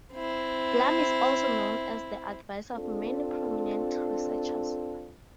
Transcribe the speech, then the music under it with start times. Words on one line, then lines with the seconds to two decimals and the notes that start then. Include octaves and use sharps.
Blum is also known as the advisor of many prominent researchers.
0.14 C4 E4
2.74 C4 D4 F4 A4